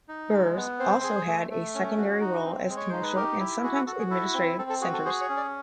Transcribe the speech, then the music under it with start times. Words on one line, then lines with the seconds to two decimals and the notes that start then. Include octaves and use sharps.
Burhs also had a secondary role as commercial and sometimes administrative centres.
0.08 D#4
0.32 G#3
0.56 B3
0.79 C4 C5
1.03 G#4
1.27 A3
1.50 A3
1.75 C#4
1.98 F#4
2.21 D#4
2.45 C4
2.69 G#3
2.77 C#5
2.90 D#4 C5
3.03 B4
3.16 G4 A#4
3.40 E4
3.63 F#4 G#4
3.75 A4
3.87 F#4 A4
3.99 G#4
4.10 E4 A4
4.34 C4
4.58 C4 A4
4.70 A4
4.81 F#4 G#4
4.93 A4
5.05 G#4 C5
5.21 C#5
5.29 C#4
5.37 D5